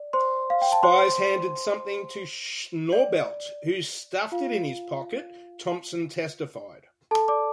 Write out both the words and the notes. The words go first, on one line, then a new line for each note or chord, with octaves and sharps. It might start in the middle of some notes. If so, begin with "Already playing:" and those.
Spies handed something to Schnaubelt, who stuffed it in his pocket, Thompson testified.
Already playing: D5
C5 C6
F5
G5
A5
C5 C6
D5
F4 F5
A4 A5
D5 D6